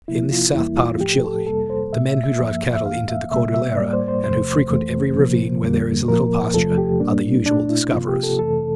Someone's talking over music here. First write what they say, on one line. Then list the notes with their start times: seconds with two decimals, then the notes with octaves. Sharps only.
In this south part of Chile, the men who drive cattle into the Cordillera, and who frequent every ravine where there is a little pasture, are the usual discoverers.
0.08 C3 F3 A#3 E4
0.31 F4
0.55 E2 E3 G3 A#3 E4
0.77 F4
1.01 A2 F3 A3 G4
1.24 A4
1.46 F2 C3 G3 A#3 A4
1.70 C5
1.93 A#2 A3 E5
2.09 E5
2.24 E5
2.39 G2 F3 A#3 E5
2.76 E5
2.85 E2 E3 A#3 F5
3.09 E5
3.31 C3 G3 A#3 E5
3.54 E5
3.77 A2 G3 A#3 D5
3.93 C5
4.08 C5
4.23 E2 C3 F3 A3 C5
4.70 F2 E3 A3
5.16 C3 F3 A#3
5.62 F2 D3 G3 A#3
6.08 A#2 F3 A#3 A#4
6.54 E2 C3 F3 A3 A4
6.78 G4
7.00 A#2 G3 A#3 D4
7.46 A#2 A3 D4
7.70 E4
7.92 C3 F3 A#3 F4
8.08 G4
8.23 A4
8.39 F2 C3 E3 A3 A4